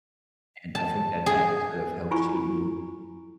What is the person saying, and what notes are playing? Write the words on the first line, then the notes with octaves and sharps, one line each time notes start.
and I think that that sort of helped shape me in
A5
G#4
E4 F4 G#5 B5 C#6